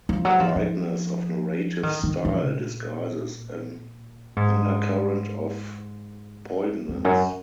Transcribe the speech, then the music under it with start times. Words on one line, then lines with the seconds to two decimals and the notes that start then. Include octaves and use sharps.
The lightness of narrative style disguises an undercurrent of poignance.
0.09 F3
0.25 F#3
0.40 F3
0.56 F3
1.83 D#3
2.03 D#3
2.25 F3
2.45 A#2
4.36 G#2
6.89 F2
7.05 F#2